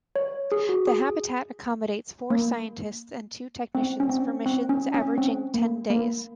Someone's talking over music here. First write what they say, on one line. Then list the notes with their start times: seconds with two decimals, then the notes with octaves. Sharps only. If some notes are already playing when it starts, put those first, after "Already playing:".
The habitat accommodates four scientists and two technicians for missions averaging ten days.
0.16 C#5
0.52 G#4
0.69 F#4
0.87 G#4
2.30 A#3
3.75 C4
4.00 C#4
4.09 C4
4.46 C4
4.69 C#4
4.94 C#4
5.18 C4
5.54 A#3
5.90 A#3